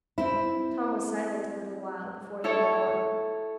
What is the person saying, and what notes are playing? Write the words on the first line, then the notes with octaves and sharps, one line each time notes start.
Tom was silent a little while before he went on.
C4 E4
E4 A4 C#5